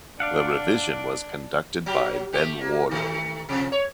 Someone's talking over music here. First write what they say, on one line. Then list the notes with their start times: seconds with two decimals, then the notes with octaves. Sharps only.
The revision was conducted by Ben Warlow.
0.20 D4 D5 F5 F#5
1.86 F#3 G4
2.33 A3 G4
2.61 A#3
2.91 D#3 A3
3.49 C3 F3
3.72 C#5